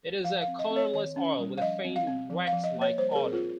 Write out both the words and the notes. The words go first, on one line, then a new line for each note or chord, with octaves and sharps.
It is a colorless oil with a faint wax-like odor.
F3 F5
F5
C4
D#5
C4
C#5
D#3 C#5
C#4
G3
F5
F3 D#5
C4
F5
C4
F3
F5
F3
D#5
A#3
C#5
G3 C5
A#4
G#4
C4
F4